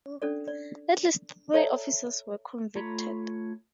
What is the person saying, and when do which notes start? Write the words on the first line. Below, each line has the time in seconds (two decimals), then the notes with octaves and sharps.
At least three officers were convicted.
0.22 C#4 D4 A4 D5
0.48 D5
1.54 A4 C#5 D5 E5 A5 A#5
2.76 A3 F4 C#5 A#5 B5